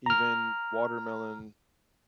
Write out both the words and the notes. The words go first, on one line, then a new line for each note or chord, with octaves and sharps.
even watermelon
A#5 F6